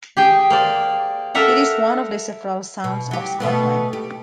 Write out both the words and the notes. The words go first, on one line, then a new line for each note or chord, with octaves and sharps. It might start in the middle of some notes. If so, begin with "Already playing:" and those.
It is one of the several Sounds of Scotland.
G4 G#4 G5
A#3 C5 D5
A4 A#4 E5 F#5 A#5
B2
F#3 G4
B2 A3 B3
G4